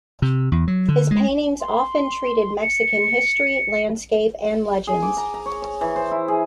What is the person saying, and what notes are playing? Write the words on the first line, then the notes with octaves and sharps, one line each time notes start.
His paintings often treated Mexican history, landscape, and legends.
C3
E2
F#3
D3
G#3
C6
C#7
G#4
D6
A#5
A#5
C#5
C#5
E3
C5
E4
G#4